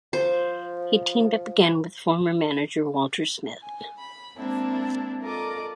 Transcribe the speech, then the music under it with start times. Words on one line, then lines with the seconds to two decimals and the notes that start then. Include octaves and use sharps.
He teamed up again with former manager Walter Smith.
0.13 F3 C5
3.62 G#5
3.97 B5
4.36 G#3 A#3 C4 D4 E4
5.22 F4 A4 A#4 D5 D#5 D6